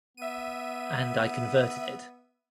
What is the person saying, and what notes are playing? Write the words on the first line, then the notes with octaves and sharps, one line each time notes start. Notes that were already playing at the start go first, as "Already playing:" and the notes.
And I converted it.
B3 E5 D#7